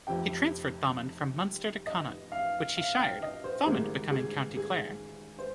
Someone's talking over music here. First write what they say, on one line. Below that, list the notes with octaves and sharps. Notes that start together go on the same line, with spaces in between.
He transferred Thomond from Munster to Connaught, which he shired, Thomond becoming County Clare.
F1 F2 C3 G5
D#5
F5
F5
G5
D#5
C5
G#1 G#2 G3 A#3 G#4
G#4
G#4
C5